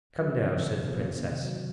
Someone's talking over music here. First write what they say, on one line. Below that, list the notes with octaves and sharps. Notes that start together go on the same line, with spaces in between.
"Come now," said the princess.
F#3
F3
D#3
C#3 F3
C3 D#3
A#2 C#3
A#2 C#3
A#2 C#3
C3 D#3
D#3 F#3